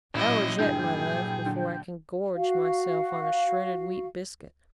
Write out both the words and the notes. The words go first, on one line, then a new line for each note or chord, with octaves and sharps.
"Hours yet, my love, before I can gorge myself on a shredded wheat biscuit."
A1 A#2 F#3 E4 D#5
G2 D3 E4 G#4 G5
D3
F#4 F5